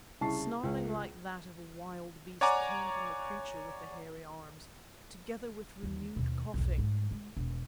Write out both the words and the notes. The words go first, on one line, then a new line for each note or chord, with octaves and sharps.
Snarling like that of a wild beast came from the creature with the hairy arms, together with renewed coughing.
C2 C#3 A5 C#6 C7
C#2
C#5 D5 F#5 G#5 A#5 D6
D#2 E3
D#2 B2
B1 E2
G#2 G3
G#3
E1 B3